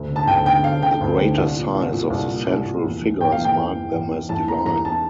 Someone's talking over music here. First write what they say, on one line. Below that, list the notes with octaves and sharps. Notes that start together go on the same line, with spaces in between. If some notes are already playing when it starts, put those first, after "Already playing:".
The greater size of the central figures mark them as divine.
Already playing: D2
D3
A5
D2 G5
D3 G5
D2 F5
D3 G5
D2
D3
C2
A#2
C2
A#2
C2
A#2
C2
A#2
E2
E3
E2 G5
F5
E3
G5
E2
E3
E2
E3
E2 A5
E3 A#5
E2 A#5
E3 A5